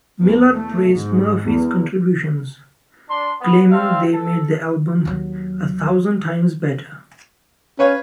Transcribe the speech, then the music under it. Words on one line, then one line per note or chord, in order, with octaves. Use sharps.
Miller praised Murphy's contributions, claiming they made the album "a thousand times better".
E2
A3
G#2
E2
D4 C6
B3
C4 D4 F4 E5 F5
A4
D#2 F#3
C#4 B4 C#5 F5